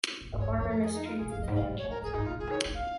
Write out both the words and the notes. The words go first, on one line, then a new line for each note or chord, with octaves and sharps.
A farmer mistreats its animals.
A#2
G#2
C#5
G#2
F2 C#5
A#4
G#4
D#4
F4
G#4
A#2
G#2 F5
F2 D#5
G#2
C#3 F5
A#2
C#5
G#2
A#4
G#2 G#4
G#2 D#4
A#2 F4
C#3 G#4
D#3
C#5
D#4
C#4 F5